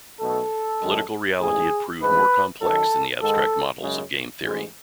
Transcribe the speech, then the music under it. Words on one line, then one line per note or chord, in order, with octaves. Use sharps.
Political reality had proved more complex than the abstract models of game theory.
B1 B2 A3 A4
F#2 D#3 G#3
A1 G#2 E3 G#4
A1 G#2 E3 G#3 B4
F#2 D#3 F#3 A4
G#2 D#3 G#3 A4
F#2 C#3 G#3
A1 G#2 E3 G#3